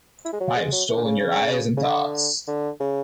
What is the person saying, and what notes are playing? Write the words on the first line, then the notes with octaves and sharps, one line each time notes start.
I have stolen your eyes and thoughts’’!
E4
G#3
F#3
G#3
F#3
E3
D3
C#3
C#3
C#3
D3
D3
C#3